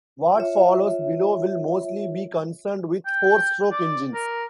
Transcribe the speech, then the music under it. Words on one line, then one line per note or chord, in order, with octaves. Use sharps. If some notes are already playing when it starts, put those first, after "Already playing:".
What follows below will mostly be concerned with four-stroke engines.
F4 C#5 E5
G5
D5
A#4